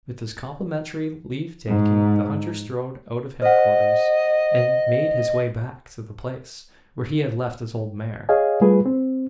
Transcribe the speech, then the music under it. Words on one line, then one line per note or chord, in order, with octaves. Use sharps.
With this complimentary leave-taking the hunter strode out of head-quarters, and made his way back to the place where he had left his old mare.
G#2
C5 D#5 F#5
G#4 C#5 D#5 F5 G#5
G3 A3 F4 G#4 B4
C4